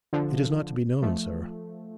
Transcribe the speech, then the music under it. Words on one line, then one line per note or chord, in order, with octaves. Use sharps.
'It is not to be known, sir.
D3 F3
F3 A3